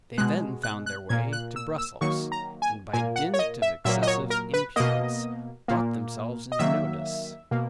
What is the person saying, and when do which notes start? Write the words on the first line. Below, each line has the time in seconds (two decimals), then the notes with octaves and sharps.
They then found their way to Brussels, and by dint of excessive impudence, brought themselves into notice.
0.18 B2 G#3 F#6
0.64 F#6
0.86 F#6
1.09 A#2 A#3 G#6
1.33 F#6
1.56 E6
1.78 E6
2.01 D#3 F#3 A#3 C#6
2.32 A#5
2.62 G#5
2.93 A#2 A#3 G#5
3.16 F#5
3.34 C#5
3.39 D#5
3.62 E5
3.85 A#2 F#3 A#3 E5
4.03 D#5
4.07 C#5
4.30 A#4
4.54 B4
4.76 B2 A#3 D#5
5.68 A#2 A#3
6.52 D#5
6.59 D#3 F#3 A#3 E5
7.51 B2 A#3